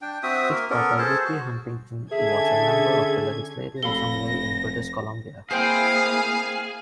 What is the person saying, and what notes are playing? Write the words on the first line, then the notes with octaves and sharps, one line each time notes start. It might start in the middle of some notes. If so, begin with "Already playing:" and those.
His daughter Vicki Huntington was a member of the Legislative Assembly in British Columbia.
D4 G5
C4 F#4 E5 D#6
A#3 A#4
B3 C#4 A4 A#4
G#4 A4 C5 A5
F#4
D3 C#4 G#4 A4 E5 G#6
F1 A4 F5 B5 A#6 G7
A#3 C4 E4 G#4 C5 F5 G5 D#6